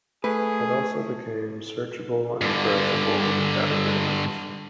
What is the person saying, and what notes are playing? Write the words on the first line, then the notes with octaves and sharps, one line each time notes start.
It also became searchable and browsable with categories.
A3 G#4 B4
G2 D3